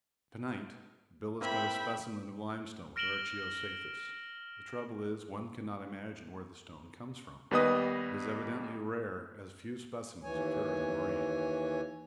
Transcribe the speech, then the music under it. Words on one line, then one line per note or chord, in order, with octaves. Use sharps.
To-night Bill has got a specimen of limestone with archeo-cyathus--the trouble is one cannot imagine where the stone comes from; it is evidently rare, as few specimens occur in the moraine.
A#3 C4 E4 E5 G5 B5
F6 A#6 D7 E7 F#7 G7
D#2 G3 B3 B4 D#5 D#6
D#2 E3 C#5 G#5